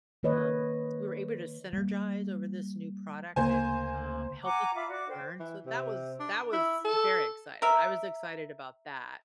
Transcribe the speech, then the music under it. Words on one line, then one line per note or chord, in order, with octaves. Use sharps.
um, we were able to synergize over this new product and, um, help each other learn, so, that was that was very excited. I was excited about that,
D#3 A#3 B4 C#5 D#5
G3 A#3
D2 C#3 A#3 C5 G#5
F#5 G#5 A#5 D6
F4 E5 B5 D6
F#4 D5 D6
C5 G5
E3
C3
D4
E4
A4
A#4 E5